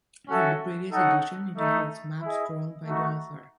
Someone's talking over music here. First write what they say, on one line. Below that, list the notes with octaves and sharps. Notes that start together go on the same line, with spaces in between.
Like the previous edition, it includes maps drawn by the author.
C#4 F#4 A4 E5
D#4 A4 C#5 F#5
A3 D#4 A4 D#5
E4 G#4 D#5
A3 D#4 F#4